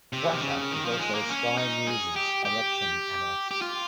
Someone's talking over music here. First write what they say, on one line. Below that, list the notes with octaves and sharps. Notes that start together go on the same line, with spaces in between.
Thrasher is also Sky News' Election Analyst.
C3
D#3
C#3
D#3
F3
G#3
A#3
C#4
D#4
G#4
G4
G4
G4
F4